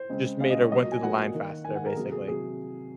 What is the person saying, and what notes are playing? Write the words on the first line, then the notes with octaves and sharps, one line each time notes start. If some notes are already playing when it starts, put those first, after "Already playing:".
just made her went through the line faster, basically.
Already playing: C5
C#3 G#3 C4
C#3 G#3 C4 F5
D#5
C#5
A#2 F#3 A#3 D#5
G#5
A#2 F#3 A#3 F#5
D#3 A#3
D#3 A#3 G#5
F#5
A#4
C3 F#3 A#3 G#4
G#4
C3 F#3 G#4